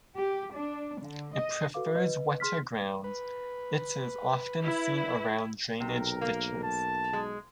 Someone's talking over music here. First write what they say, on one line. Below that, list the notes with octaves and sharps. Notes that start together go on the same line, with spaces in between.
It prefers wetter ground; it is often seen around drainage ditches.
G4
D4
D3
D#5
F#4 A4 B4 F5 D6
B4 D#5
G#4 C6 F6 B6
B4
E4
B1 C3 A#4
A#3
A5
G#3